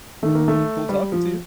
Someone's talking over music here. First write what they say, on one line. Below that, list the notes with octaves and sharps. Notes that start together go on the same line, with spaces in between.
cool talking to you.
D#3 A3
A#3
A3
G3
F3